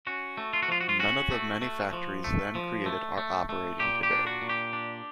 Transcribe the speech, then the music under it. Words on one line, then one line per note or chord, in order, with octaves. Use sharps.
None of the many factories then created are operating today.
C#4 F#4
A3
F4
F#4
F3 F4
F#4
F4
C#4 F#4
A3
A3
F3
A3
F3
A3
A3
A3
A#2 G4
G4
D4
F#4
A#2
G4
D4